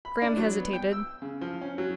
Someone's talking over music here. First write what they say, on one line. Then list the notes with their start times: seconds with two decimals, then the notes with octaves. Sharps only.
Graham hesitated.
0.05 B5
0.22 D4
0.37 F#3
0.58 B3
0.73 G5
0.92 E6
1.22 C#3
1.41 F3
1.61 C#4
1.78 F#3